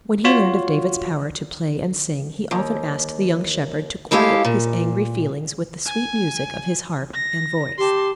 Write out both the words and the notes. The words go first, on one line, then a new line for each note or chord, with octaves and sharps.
When he learned of David's power to play and sing, he often asked the young shepherd to quiet his angry feelings with the sweet music of his harp and voice.
F4 F#4 C#5
D#2
D#2 G#3 E4 G4 A4 F5
A#2
G#5
A#6
G4 A5 C6